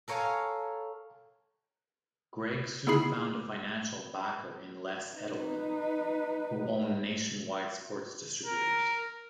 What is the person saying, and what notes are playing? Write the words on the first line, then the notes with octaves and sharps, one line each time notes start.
Greg soon found a financial backer in Les Edelman, who owned Nationwide Sports Distributors.
A4 A#4 C#5 F5 G#5
B3 D#4 E4 G#4 B5 C7
D#4 B4
A#4